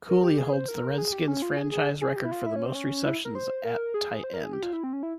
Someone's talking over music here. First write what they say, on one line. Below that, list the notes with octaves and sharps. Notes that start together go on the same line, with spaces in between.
Cooley holds the Redskins' franchise record for most receptions at tight end.
A#4
G4
G#4
C5
A#4
G#4
G4
C#4
F4
G#4
G#4
G#4
G4
E4
F4
E4
C#4
C4
C#4
E4
A#4
C5
A#4
G#4
C5
A#4
G#4
G4
F4
E4
C4
C#4
E4